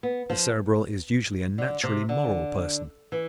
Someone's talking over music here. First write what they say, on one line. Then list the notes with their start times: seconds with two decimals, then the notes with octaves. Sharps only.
The Cerebral is usually a naturally moral person.
0.03 B3
0.30 F3
1.58 D3
1.83 C3
2.09 D3
3.12 E3